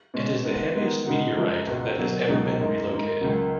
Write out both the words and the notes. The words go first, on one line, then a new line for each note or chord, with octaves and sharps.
It is the heaviest meteorite that has ever been relocated.
B2 G#3 C#4
D#3 G#3 B3
D#3 G#3 B3 D#4
C#3 G#3 D#4 F#4
F#2 F3 G#3
C#2 B2 G#3 B3 F#4
B2 F#3 A#3
C#2 B2 F#3 A#3 D#4
F#2 D#3 G#3
G#2 D#3 A#3
C#2 C#3 F#3 A#3